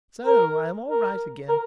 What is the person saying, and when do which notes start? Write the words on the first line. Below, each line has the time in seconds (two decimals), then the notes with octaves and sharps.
So I am all right again.
0.26 A#4
0.90 A#4
1.49 A#4